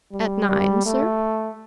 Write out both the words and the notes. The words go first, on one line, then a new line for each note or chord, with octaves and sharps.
"At nine, sir?"
G3
G3
A3